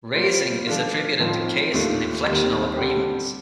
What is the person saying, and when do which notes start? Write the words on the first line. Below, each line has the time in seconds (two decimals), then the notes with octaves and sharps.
Raising is attributed to Case and Inflectional Agreement.
0.14 G3 A#3 F4 C5
0.67 F3 A3 D4 F4
1.19 A2 F3 C4 D#4
1.72 D#2 D#3 A3 D4 F4
2.24 D#2 D#3 G3 C4
2.77 D3 G3 C4 G4